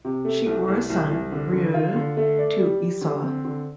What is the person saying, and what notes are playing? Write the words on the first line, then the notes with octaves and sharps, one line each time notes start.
She bore a son, Reuel, to Esau.
C3
A3
C2
C2
C2
C2
D3
D3
F4
D3
A3
D5
G3
G3
D3
C4
D3